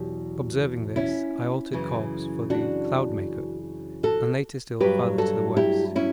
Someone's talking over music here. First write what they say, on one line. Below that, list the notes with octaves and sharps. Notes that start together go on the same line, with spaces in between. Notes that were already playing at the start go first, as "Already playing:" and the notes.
Observing this, I altered course for the 'Cloudmaker' and later still farther to the west.
Already playing: E2 B2 F#3 G4
C#4 E4
F#2 C#3 E3
D4 F#4
F#4 A4
G2 F#3 G4 B4
F#4 A4
E4 G4
C#4 E4